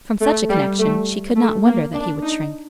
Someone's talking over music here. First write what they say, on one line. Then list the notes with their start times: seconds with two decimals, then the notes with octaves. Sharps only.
From such a connection she could not wonder that he would shrink.
0.21 A3
0.49 G3
0.79 A3
1.36 A3
1.65 A#3
1.93 D4
2.23 D#4